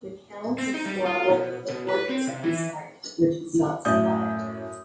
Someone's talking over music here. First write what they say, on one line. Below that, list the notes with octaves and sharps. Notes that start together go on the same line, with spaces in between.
The counts of Celano built a fortress at this site, which has not survived.
C4
D#4
G3
F4
B2
B2
B4
C4
C3
E3
F#2 A2 D5 E5 D#6 G6